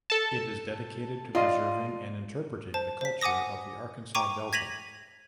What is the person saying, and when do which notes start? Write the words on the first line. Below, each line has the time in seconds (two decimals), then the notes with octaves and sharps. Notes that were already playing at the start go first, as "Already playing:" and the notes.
It is dedicated to preserving and interpreting the culture of the Arkansas Delta.
0.10 A4 A5
1.35 F4 D5 D#5 F5
2.74 C5 A5
3.01 C5 B6
3.21 F#5 G#5 D6 D#6 A#6
4.15 G5 A#5 C#6 D6 D#7
4.53 G#6 A#6 B6 D#7 F7 F#7